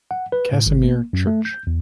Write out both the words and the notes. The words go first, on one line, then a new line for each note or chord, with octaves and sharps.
Casimir Church.
F#5
B4
A2
G#1
A#3
F#2
A3
G6
E2